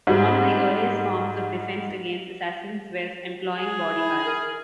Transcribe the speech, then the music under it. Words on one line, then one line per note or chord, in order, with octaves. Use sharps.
One of the earliest forms of defense against assassins was employing bodyguards.
G#2 G3
G#4
E4
A#4